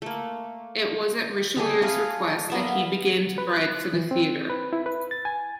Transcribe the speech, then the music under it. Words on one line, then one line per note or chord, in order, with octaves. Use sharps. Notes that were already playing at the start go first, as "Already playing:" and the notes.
It was at Richelieu's request that he began to write for the theatre.
A3 A#3
G3 A3 G#4
A3 G#4 B4 F5
A#3 B3 E5
B4
F#6
E3
C4
B4
E4
B4
A6
G#5